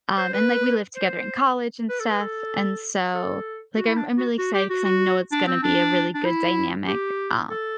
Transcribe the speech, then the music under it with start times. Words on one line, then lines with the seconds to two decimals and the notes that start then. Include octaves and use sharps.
um, and, like, we lived together in college and stuff, and so, like, I'm I'm really excited 'cause I know it's gonna be a really good dynamic, uh,
0.18 C5
0.33 B4
0.96 C5
1.89 B4
2.00 A4
2.10 B4
2.20 A4
3.14 A4
3.76 F#4
3.87 E4
3.97 D4
4.18 F#4
4.38 F#4
4.54 G4
4.70 F#4
4.85 F#4
5.32 D4
5.47 C4
5.63 D4
6.14 D4
6.25 E4
6.87 G4
7.50 A4